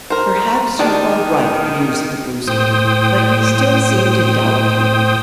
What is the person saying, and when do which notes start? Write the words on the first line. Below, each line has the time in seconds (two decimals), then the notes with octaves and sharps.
"Perhaps you are right," mused the Blueskin; but he still seemed to doubt them.
0.10 A#4 C5
0.79 D#3 D4 G4
2.47 A2 C5 G5 D#6